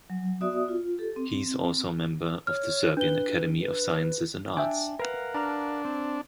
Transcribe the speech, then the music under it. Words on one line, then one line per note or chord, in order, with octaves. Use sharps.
He is also a member of the Serbian Academy of Sciences and Arts.
F#3
B3 F#4 D5 E5 D#6
F4
G4 A4
C4
C#5 F6
D4 B4 G7
B4
D4 E5 G5 G#5
A#4 B4 F5 F#5
D4 A5 A#5 F6
C4